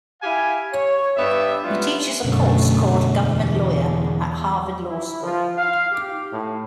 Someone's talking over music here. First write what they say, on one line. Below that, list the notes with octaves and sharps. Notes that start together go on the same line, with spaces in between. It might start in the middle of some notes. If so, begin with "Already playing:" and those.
He teaches a course called Government Lawyer at Harvard Law School.
E4 G4 F5 G#5
C#5
G2 B3 G4 E5
E3 G3 B3 C#4 F4
F#2 B2 D3 A3
E2
E4
F3
F5
G4
A2